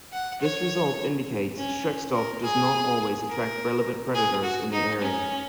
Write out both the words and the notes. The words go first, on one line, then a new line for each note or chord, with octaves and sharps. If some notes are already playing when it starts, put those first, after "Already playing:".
This result indicates schreckstoff does not always attract relevant predators in the area.
F#5
C#5
C#4
A#4
G#4
A#4
G#4
F#4
D#4
C#4